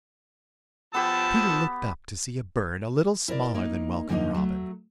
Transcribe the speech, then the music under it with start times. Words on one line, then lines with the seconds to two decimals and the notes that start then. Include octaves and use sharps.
Peter looked up to see a bird a little smaller than Welcome Robin.
0.94 F3 B3 G4 A5 E6
3.28 E4 A#4 C#5 D5
3.54 A#3 D#4
4.09 F#2 D3 F3 A#3 C4 D#4
4.34 F#3 A3